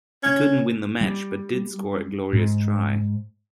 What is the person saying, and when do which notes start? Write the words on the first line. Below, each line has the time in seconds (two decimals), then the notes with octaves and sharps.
He couldn't win the match but did score a glorious try.
0.23 C#4
1.01 G3
2.33 G#2